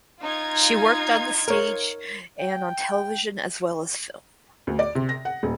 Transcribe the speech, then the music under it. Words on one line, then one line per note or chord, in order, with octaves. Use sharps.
She worked on the stage and on television as well as film.
D#4 F4 G#6
A#4 C#5
G5
D2
D5
C3
A#6
F#5
D#1